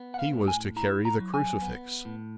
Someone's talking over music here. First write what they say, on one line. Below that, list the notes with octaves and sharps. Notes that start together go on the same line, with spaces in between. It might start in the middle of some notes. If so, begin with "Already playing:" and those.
He was to carry the crucifix.
Already playing: B3
F#5
F5
A2
G#5
E4 A#5
A#5
F#3
G#5
B3
A2